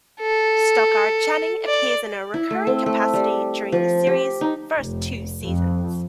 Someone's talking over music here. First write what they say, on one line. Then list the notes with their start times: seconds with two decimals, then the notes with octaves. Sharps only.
Stockard Channing appears in a recurring capacity during the series first two seasons.
0.20 A4
1.67 D5
2.34 E4
2.51 A3
2.67 C4
2.86 A3
3.13 G3
3.72 F3
4.07 G4
4.41 D#4
4.80 F1
5.44 F2